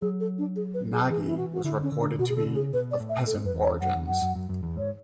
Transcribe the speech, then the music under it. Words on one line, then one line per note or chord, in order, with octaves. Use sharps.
Nagy was reported to be of peasant origins.
F#3 G#4
A4
D4
G#4
B4
G#4
E3 G#4
E4
F#4
F#4
D3 E4
C#4
D3
D4
B2 F#4
G#4
D3 A4
B2
C#3 G#4
B2 B4
D5
A2
E5
A4
G#2
F#2 B4
E2
C#5
F#2 F#5
E2
F#2 F#5
F#2
F#2
F#2
E2
G#2 C#5